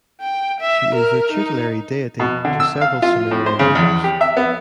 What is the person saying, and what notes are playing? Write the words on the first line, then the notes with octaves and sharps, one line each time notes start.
She is the tutelary deity to several Sumerian leaders.
G5
E5
A#4
D#4
B2
D3
E6
F5
F4
A2
C5
C#3
E2
G4
E5
B3